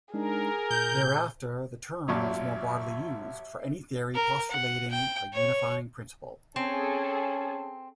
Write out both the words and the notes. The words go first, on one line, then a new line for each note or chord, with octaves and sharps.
Thereafter the term was more broadly used, for any theory postulating a unifying principle.
G#3 D4 D#4 G#4 A#4
A#2 G6
A1 F#2 A#2 E5
A#4
F#5
G5
C#5
C4 C#4 G#4 A4